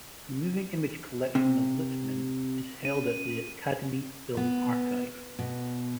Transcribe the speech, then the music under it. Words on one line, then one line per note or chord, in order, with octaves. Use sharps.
The moving image collection of Littman is held at the Academy Film Archive.
C3
C#4 D#7
B3
B2